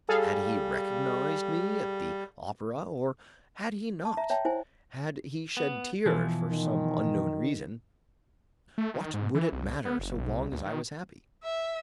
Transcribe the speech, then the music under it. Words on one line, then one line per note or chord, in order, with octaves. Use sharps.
Had he recognized me at the opera or had he not, had he shed tears for some unknown reason, what would it matter so long as I was happy?
G3 G#4 A4 F5
A5
E5 A#5
C#5 E5 G5 A5
E4 C5 G#5
B3
B2 E3 F3
D#3
A3
D#3
G#2
E3
C2
B3
F#1
B1
C2
D2
D#3
E5